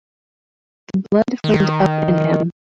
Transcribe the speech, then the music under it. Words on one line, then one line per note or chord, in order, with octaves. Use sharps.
The blood flamed up in him.
D#3